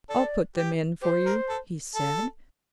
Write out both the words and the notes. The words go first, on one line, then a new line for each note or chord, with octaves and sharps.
"I'll put them in for you," he said.
A4 D5
G4
G4 C5
A#4
A4
A4